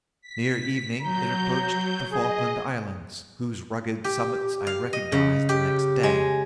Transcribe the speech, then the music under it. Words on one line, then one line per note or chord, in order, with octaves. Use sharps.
Near evening it approached the Falkland Islands, whose rugged summits I recognized the next day.
B6
F#3 A#5 G6
G#4 D#5
G4
F5
D#5
C#3
G4
G#3